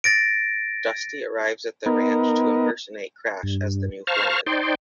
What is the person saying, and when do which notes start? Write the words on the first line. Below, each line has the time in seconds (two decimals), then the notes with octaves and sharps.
Dusty arrives at the ranch to impersonate Crash as the new foreman.
0.04 A6 A#6 D7
1.86 B3 D#4 A#4
3.43 G2
4.07 C5 F5 A5 A#5 C#6 F6
4.47 D#4 C5 D5 G5 C6